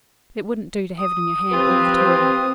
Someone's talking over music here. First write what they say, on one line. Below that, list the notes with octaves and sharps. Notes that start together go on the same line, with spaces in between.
It wouldn't do to have it in your hand all the time.
D#6
F3 C4 F4 G4 B4